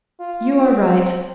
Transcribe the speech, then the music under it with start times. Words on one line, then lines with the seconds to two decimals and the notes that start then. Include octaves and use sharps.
'You are right.
0.20 F4
0.57 C4